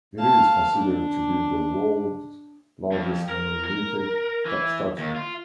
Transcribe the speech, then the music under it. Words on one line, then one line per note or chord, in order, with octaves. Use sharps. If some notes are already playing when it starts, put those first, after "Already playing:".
It is considered to be the world's largest monolithic statue.
F5 A5
D4
F2
A#4
A#4
E3
D#2
F4